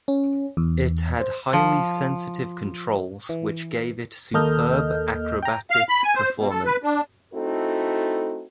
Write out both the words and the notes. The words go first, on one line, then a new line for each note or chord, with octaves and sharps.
It had highly sensitive controls which gave it superb aerobatic performance.
C#4
E2
C5
F3
E3
D#2 A#3 A4 D#5 F6 G6
G5 A#5
F5
B5
G#5
C5
B2
A4
B4
D4
A3 C4 D#4 E4 F#4 A4